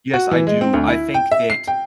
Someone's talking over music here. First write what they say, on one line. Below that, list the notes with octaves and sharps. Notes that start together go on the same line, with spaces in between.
yes, I do. I think that
F#4
E3
G#3
C4
D2
E4
G5
E5
C7
G5